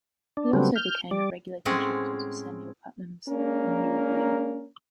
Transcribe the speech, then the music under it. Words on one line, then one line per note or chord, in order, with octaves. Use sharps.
He also became a regular contributor to Samuel Putnam's "The New Review".
D4
C#3 F#3 G3 A3 B3 C4
F6 G6
G3 D5
A2 G#3 C4 C#4 F#5
G#3 A#3 C#4 D4 A#4